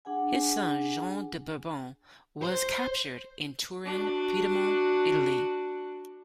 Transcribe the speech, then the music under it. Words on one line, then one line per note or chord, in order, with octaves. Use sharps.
His son Jean de Bourbon was captured in Turin, Piedmont, Italy.
D4 G#4 F#5 G#5
C5
D4 F#4